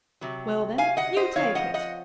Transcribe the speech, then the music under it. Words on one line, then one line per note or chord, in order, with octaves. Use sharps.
"Well, then, you take it."
C3 F#3
F5 G#5
D#5 F#5
C5 D#5
C#3 F3 C4 C#5 F5
D#5 F#5
D#5 F#5